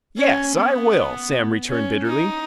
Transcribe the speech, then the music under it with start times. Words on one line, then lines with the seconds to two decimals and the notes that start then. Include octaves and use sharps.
"YES, I will!" Sam returned bitterly.
0.18 C#4
0.56 B3
1.69 C#4
2.06 D#4